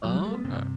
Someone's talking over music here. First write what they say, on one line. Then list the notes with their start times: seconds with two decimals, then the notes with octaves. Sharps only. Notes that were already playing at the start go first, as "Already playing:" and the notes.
Oh, okay.
0.05 F#3
0.15 G3
0.25 A3
0.35 B3
0.45 G2 C3 C4